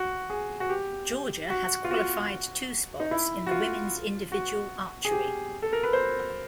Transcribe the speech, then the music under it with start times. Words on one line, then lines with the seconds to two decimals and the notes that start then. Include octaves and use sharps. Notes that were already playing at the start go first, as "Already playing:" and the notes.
Georgia has qualified two spots in the women's individual archery.
Already playing: F#4
0.30 G#4
0.60 F#4
0.70 G4
1.50 F#4
1.85 F4
1.91 F#4
3.00 D#4
3.11 E4
3.47 F#4
3.51 F4
4.32 F#4
5.05 G#4
5.12 G4
5.62 A4
5.73 A#4
5.83 B4
5.93 C5